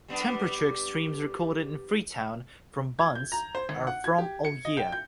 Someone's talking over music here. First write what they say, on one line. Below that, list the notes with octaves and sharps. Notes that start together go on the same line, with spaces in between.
Temperature extremes recorded in Freetown from Bunce are from all year.
G3 B3 D4
G#6
G6
A#5
C5
G#1
F#5
G#6
G4
C#7
D#5
G5
G6